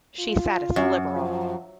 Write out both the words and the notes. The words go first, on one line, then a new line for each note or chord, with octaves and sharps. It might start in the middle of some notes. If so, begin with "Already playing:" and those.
She sat as a Liberal.
F4
F#2
F3